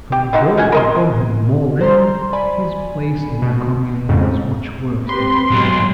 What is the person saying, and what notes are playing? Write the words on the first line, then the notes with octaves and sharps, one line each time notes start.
So though Pahom had more land, his place in the Commune was much worse than before.
G4
D3 D#4 F#4
C#4 F#5 G#5
A#4 D#5 C6
C5 A#5 C6
D5 G#5 B5
B2
F2 G#2 C#3
C4 G4 B4 C6
G#2 B2 F#3